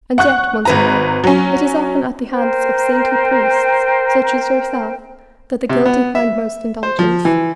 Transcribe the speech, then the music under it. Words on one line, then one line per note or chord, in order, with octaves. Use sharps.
And yet, Monseigneur, it is often at the hands of saintly priests, such as yourself, that the guilty find most indulgence.
F#5 C#6 F#6
G#1 B4 A#5
F#3 C#4
A#4 C5 G5
C3
B3
E5
C5
F3
E3